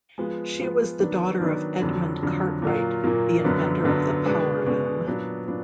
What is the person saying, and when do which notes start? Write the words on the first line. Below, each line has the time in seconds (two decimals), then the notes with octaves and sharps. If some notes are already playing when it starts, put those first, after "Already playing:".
She was the daughter of Edmund Cartwright, the inventor of the power loom.
0.18 F3 G#3 B3 F4
0.59 F3 G#3 B3 F4
0.99 D#3 F#3 B3 D4
1.40 D#3 F#3 B3 D4
1.82 F2 D3 F#3 D4
2.22 F2 D3 F#3 D4
2.62 A#2 F#3 A#3 F4
3.04 A#2 F#3 A#3 F4
3.44 F#2 D3 F#3 B3 D4
3.84 F#2 D3 F#3 B3 D4
4.25 B2 G#3 B3 D4
4.66 B2 G#3 B3 D4
5.07 A#2 F#3 B3 D4
5.48 A#2 F#3 B3 D4